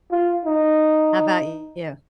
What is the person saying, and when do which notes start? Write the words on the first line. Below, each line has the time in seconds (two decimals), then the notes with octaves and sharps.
How about you?
0.11 F4
0.45 D#4